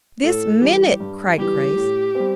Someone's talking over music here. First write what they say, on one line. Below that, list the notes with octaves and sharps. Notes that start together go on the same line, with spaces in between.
"This minute!" cried Grace.
A2 A4
E3 G3 G4
G2
E3 G3 G4
A2
C4
G3